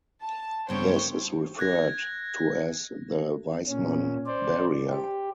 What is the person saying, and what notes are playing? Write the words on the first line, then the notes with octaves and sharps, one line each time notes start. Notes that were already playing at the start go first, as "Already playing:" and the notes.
This is referred to as the Weismann barrier.
A5
G2 C#3 B3 C5 C#5 G5
F#6 G#6 A#6
A#2 C#4
C5 D5
G4